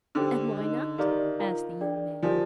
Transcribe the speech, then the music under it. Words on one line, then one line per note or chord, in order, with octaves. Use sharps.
"And why not?" asked the young man.
D3 G4 C5 G5 D6
D#4 G#4 D#5
D#3 G4 D5 F5 A#5 D6
F4 A#4 F5 A#5
D4 G#4 D5 G5
F3 G4 A#4 D5 G#5